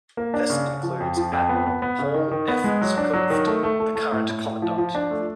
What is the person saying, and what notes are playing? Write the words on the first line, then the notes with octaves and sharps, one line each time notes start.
This includes Admiral Paul F. Zukunft, the current Commandant.
A#3
D4
C#3
C#3
F3
F2
F3
F2
B3
B3
B3
C#3
D#3
D#3
B3
G#3
F#3
D4
F#3
D#3
A3
A3
A3
A3
A2
A2
A2
F3
F3
D4
A3